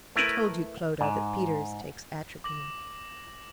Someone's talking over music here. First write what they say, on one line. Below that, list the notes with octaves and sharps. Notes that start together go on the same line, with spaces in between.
Who told you, Clodagh, that Peters takes atropine?'
A3 E4 A#4 B4
G#2
D6 A#6 F#7